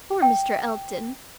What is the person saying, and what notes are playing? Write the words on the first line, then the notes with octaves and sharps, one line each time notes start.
Poor Mr. Elton!
G5